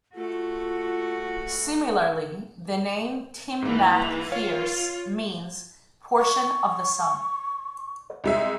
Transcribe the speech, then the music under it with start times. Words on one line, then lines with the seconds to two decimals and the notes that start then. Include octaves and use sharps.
Similarly, the name "Timnath-heres" means "portion of the sun".
0.15 A3 F4 F#4 A4
3.62 G#2 E3 A#3
4.32 F4 C#5 F5
6.20 C#6
8.24 C2 G#3 E5